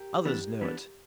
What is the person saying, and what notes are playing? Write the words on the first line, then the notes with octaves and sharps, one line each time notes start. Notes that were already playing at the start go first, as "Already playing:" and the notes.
Others know it.
Already playing: G4 A#4
E3 B3 D4
E3 B3 D4